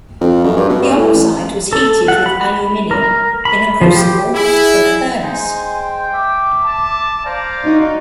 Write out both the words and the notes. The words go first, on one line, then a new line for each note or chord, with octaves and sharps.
The oxide was heated with aluminium in a crucible in a furnace.
F2
F#2
G2
B2
G2
A2
A1
A4
F#5
B5
A#4
B5
F3
G4
E4 G#4
G#3 D#4 C5 G#5
G5
E5 D6
A5
C5 D5 F5 A#5
D#4 F#4